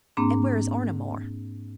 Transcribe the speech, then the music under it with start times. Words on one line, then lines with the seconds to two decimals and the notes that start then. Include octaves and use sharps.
"And where is Oranmore?"
0.17 G#2 A#3 C4 D4 B5